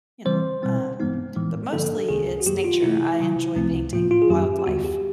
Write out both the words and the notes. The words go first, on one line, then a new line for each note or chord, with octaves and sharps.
you know? Um, but mostly, it's nature. I enjoy painting wildlife.
C#3 E3 G3 C4 C5
B2 G3 C4
G2 E3 G#3 B3 D#4
A2 E3 G#3
G2 D3 F3 A#3 D4 A4
C#2 C3 D#3 G#3 C#4 G#4
F#4
F#2 D#3 F#3 A#3 G4
F4
C3 E3 A3 E4
C3 D#3 F#3
C#2 C3 F3 A3 C4
A2 F3 A#3 F4
F4
G#4
F#2 D#3 F#3 A#3 C#4 G4
G4
D#2 D3 G3 B3 F#4
G4